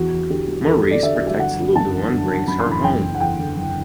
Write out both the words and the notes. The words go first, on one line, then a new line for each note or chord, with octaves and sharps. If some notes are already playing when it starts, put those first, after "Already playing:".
Maurice protects Lulu and brings her home.
Already playing: E2 F#4
E2
D3 G4
F#3
E2 A4
A4
E2
D5
D3 E5
E5
F#3
E5
G1 F#5
G1
F#2 A5
E3
G1
G1
F#2 B5
C6
E3
B5
F#1 G5
F#1
F#5
E2 G5
D3
F#1